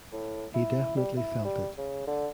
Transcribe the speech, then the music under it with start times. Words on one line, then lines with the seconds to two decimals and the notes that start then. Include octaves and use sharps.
He definitely felt it.
0.12 A2
0.54 E4
0.97 G3
1.17 E4
1.45 G3
1.78 C#3
2.07 D3